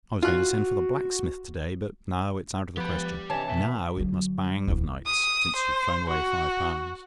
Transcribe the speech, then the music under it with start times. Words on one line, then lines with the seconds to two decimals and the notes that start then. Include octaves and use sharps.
I was going to send for the blacksmith to-day, but now it's out of the question: NOW it must bang of nights, since you've thrown away five pounds.
0.22 F4 F#4 F#6
2.77 F3 B3 G4 B5
3.30 C3 E3 D4 C#5 D#5 A5
3.49 B2 E5
3.97 D3 F#3
4.67 D1 E2
5.06 D#6
5.56 C5
6.09 F#4